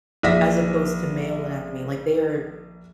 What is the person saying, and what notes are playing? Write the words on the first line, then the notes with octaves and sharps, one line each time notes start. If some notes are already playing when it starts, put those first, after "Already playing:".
as opposed to male anatomy, like, their
A#1 E5 A#6 B6